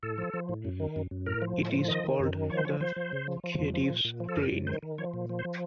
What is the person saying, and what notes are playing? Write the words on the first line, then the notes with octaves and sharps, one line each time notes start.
It is called the Khedive's Train.
A2 A4
F3
F3
A2
F#2
D#3
F#2
F#2
A2 A#4
F3
A2
F3
D#3 D#5
D#3
F#2
D#3
F3 C#5
C5
F3 C#5
F3 C5
F3
C#3
F3
F3
F2
F3
A#2
A#2
F3
A4
F#2 A#4
F#2
D#3 C5
D#3
F3 C#5
A#2
F3
C5
F3